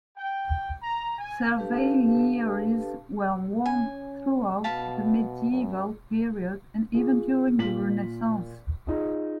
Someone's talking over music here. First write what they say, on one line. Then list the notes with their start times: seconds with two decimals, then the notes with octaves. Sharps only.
Cerveillieres were worn throughout the medieval period and even during the Renaissance.
0.16 G5
0.81 A#5
1.18 G#5
1.57 D4 G4 A4 B4 F5 A5
3.66 C#4 G#5
4.64 B2 F5 A5 B5
5.51 F#2
6.94 F4 G#4
7.58 A#2 F4 B6 F#7
8.87 D#4 F4 G#4